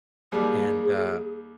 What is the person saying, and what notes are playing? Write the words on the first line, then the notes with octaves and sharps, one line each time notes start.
and, uh,
D#2 G3 G#4